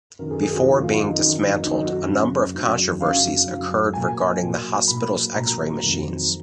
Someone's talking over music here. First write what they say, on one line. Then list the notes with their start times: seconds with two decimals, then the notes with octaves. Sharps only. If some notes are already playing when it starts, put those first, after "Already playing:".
Before being dismantled, a number of controversies occurred regarding the hospital's X-ray machines.
0.19 F#2 D#3 F#3 A#4
0.31 G#4
0.42 G#4
0.53 F#4
0.65 F#2 D#3 F#3 F#4
0.81 F4
0.97 D#4
1.12 F#2 D#3 F#3 D#4
1.35 D#4
1.59 F#2 D#3 F#3 D#4
1.83 F#4
2.06 F#2 C#3 F#3
2.53 F#2 C#3 F#3
3.00 F#2 C#3 F#3 F5
3.47 F#2 C#3 F#3
3.93 A#2 F#3 G#5
4.41 A#2 F#3
4.88 A#2 F#3 B5
5.34 A#2 F#3 A#5
5.82 F2 D#3 F#3